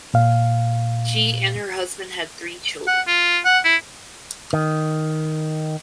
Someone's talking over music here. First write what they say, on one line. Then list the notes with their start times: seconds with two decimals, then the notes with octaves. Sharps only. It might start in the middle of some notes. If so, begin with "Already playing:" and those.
She and her husband had three children.
0.14 A#2 F5
2.87 F#5
3.07 F4
3.45 F#5
3.64 E4
4.53 D#3